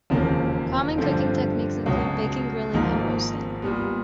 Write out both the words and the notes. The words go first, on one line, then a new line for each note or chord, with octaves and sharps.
Common cooking techniques include baking, grilling and roasting.
E1 D#2 C#3 F3 A#3
G2 D3 F3 A3 C4
C#2 B2 F#3
G#1 G#2 F3 A#3 D#4
A#2 G3 B3